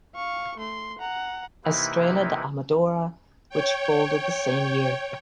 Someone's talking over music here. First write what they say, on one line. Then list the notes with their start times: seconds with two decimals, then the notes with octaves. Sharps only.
Estrela da Amadora which folded the same year.
0.15 F5 C#6
0.58 A3 C6
0.99 F#5 A#5
1.64 C3 E3 A#3 D#4 E4 B4
3.49 C#5 G5